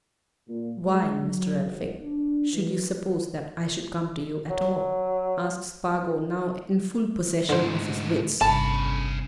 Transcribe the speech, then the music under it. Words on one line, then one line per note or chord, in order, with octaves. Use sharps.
"Why, Mr. Elphick, should you suppose that I should come to you at all?" asked Spargo, now in full possession of his wits.
A#2
G#3
F#3
G#1
D4
E3
F#3
D2 G#2 D3 C5
G1 C2 C#4 A5 B5